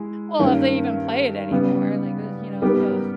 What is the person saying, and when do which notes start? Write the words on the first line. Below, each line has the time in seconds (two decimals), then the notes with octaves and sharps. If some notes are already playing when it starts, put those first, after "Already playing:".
well, if they even play it anymore, like, th you know, ugh.
Already playing: G#3 E4
0.39 G2 D#3 A#3 C#4
1.51 C#3 G3 B3
2.62 G#2 G3 B3 G4 A#4